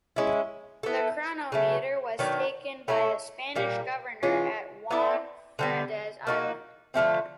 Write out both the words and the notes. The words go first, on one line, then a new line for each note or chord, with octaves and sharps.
The chronometer was taken by the Spanish governor at Juan Fernandez Island.
G#3 C#4 E4
B3 E4 A4
C#3 F#3 A3
D#3 F#3 B3 D4
A3 C#4 E4 A4
A#2 G3 A#3
E3 G#3 C#4 F4
B3 E4 A4 D5
D3 G3 B3
A#3 D#4 F#4
D3 F3 A3 C4